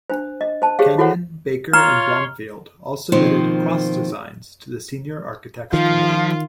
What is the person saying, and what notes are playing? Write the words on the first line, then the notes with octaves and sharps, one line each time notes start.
Kenyon, Baker, and Blomfield all submitted cross designs to the senior architects' committee.
D4 C5
D#5
C5 A5
G4 G#4 C5 C#5 F5
E4 F#4 A4 C5 C#5 F#5
F4 C#5 A#5 C6 F6
B2 D#3 F3 A#3 C4 F4
D#3 F3 F4